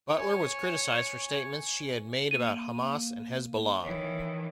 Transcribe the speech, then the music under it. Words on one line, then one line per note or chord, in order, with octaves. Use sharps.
Butler was criticized for statements she had made about Hamas and Hezbollah.
C#5 G#5
A#3 D#7
D#3 E3 C#5